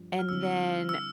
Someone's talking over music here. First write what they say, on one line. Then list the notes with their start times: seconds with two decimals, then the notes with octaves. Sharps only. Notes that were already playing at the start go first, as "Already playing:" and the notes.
And then,
Already playing: G2 F3
0.19 F6
0.28 D3 G3 C4 E4 E6
0.89 E6